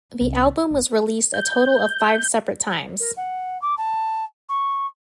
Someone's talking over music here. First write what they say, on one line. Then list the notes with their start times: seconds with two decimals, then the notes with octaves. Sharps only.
The album was released a total of five separate times.
0.21 C2 C#4
0.47 D#3
0.71 F#1
1.34 G6
3.00 A#4
3.16 F#5
3.61 D6
3.77 A5
4.49 C#6